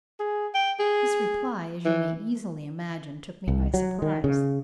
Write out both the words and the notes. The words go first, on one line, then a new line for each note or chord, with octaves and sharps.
This reply, as you may easily imagine, took me by surprise.
G#4
G5
G#4
E3
C2
F#3
D#3
C#3